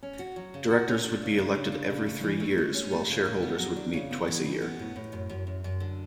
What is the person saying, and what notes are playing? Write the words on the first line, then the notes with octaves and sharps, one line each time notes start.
Directors would be elected every three years while shareholders would meet twice a year.
C#4
F#4
F#3
C#3
F#4
C#4
D4
C#3
D4
C#3
D4
C#3
A3
E3
A3
A3
C#4
A3
C#3
C#3
B3
F#3
D4
C#3
B3
E3
E3
B3
A2
A2
F#2
F#2
F#2
F#2
D3